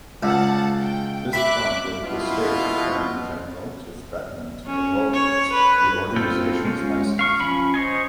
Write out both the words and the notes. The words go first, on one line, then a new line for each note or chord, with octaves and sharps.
This prompted the state attorney general to threaten to revoke the organization's license.
C#2 F#5 A5
G5
E5 B5 D6 F#6
B2 E4 F4
C#4
C#5
B4
C4 F4 A4 G5
G#3 C#4 F4
F5 C#6 F6
F3 C#4 B5 C#6
C5 C#5 D#5 G#5